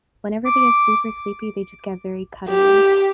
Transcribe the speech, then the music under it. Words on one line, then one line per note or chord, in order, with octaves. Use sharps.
whenever they get super sleepy, they just get very cuddly.
D6
G4